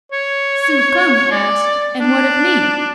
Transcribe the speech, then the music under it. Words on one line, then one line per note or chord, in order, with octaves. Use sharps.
Tzu-kung asked, And what of me?
C#5
D5
D4